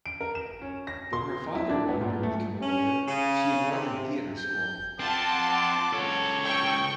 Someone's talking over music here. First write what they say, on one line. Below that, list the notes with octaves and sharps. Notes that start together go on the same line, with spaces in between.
Though her father wanted her to become a lawyer she enrolled in theatre school.
D7
A#4
E7
C#4
A#6
C6
E4
D4
B3
A#2
A3
C#4
C#3
C3
G6
C4 F4 F#5 A5 C6 D6
C#2 A4 C#5
G5 C#6